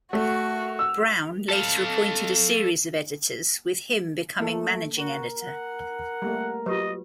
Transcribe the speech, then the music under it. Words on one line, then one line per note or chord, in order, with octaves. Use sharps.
Browne later appointed a series of editors with him becoming managing editor.
A3 F#4
E6
A4 F5
A3 A#3 A4
F#4 A#4
F#5
G3 A3 A#3
F#3 F4 G4 B4 D#5